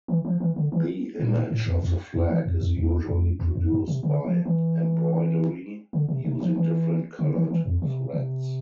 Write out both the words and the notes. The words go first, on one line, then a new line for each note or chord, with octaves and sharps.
The image of the flag is usually produced by embroidery, using different colored threads.
E3
F3
E3
D3
E3
A#2
A2
F2
F2
F2
E3
F2
F2
E2
F2
E2
F2
G2
C3
D3
F3
E3
D3
C3
C3
F3
E3
D3
E3
E3
F2
C3
C3